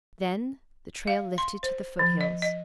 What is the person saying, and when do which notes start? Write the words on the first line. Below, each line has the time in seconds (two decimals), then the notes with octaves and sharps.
Then the trail lifted to the foothills.
1.08 F5
1.38 C6
1.63 C5
1.99 F3
2.21 D#5
2.42 D#5